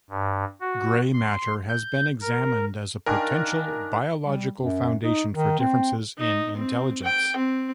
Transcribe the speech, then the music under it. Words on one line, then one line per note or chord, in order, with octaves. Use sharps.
Grey matter has been examined as a potential biological foundation for differences in intelligence.
G2
F#4
C6
G6
A#4
D#3 D4 A#4 F5 G#5
G3
F#2
D#4
D#3
C4
D#4
C4
G5
C4